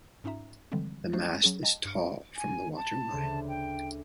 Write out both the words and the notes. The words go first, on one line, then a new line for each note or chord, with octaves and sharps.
The mast is tall from the waterline.
G#2 C#4 D#4 F4 E5 A#5
D3 E3 F3 G3 G#3 C4
F#3 A3 D4 F#4 C5
F#3 C#4 G#4
D#5 G5 A5
G2 F6
G#5
A5
D2 C#3 C5
G5